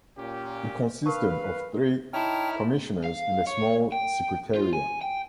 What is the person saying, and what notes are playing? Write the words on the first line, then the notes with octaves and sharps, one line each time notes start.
It consisted of three Commissioners and a small secretariat.
A#2 C#4 G4
A#4 B4 F5 A5 C#6
D#4 E4 C#5 G5 A5 F6
F5
C#5
G5
F4
G#5
G5